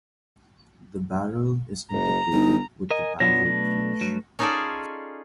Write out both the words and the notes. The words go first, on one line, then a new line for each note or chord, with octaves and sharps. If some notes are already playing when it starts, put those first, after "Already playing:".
The barrel is integrated with the barrel breech.
F#1 A#5
G1 D#4
A#4 D#5 G#5 D#6
B2 F#3 B3 D4 F4 C#5 A#6
A3 A4 B4
G2 F#3
C#4 D#4 F4 G#4 A4 D5